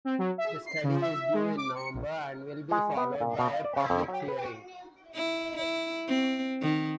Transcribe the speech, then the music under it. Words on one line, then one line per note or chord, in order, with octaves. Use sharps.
The study is due in November, and will be followed by a public hearing.
C4
F#3
E5
C7
C#3
E5
G#3
D6
C#7
A#1
G#3
B3
A#2
B2
F5
D5
C#3
F2
F#3
B4
E4
E4
C4
D#3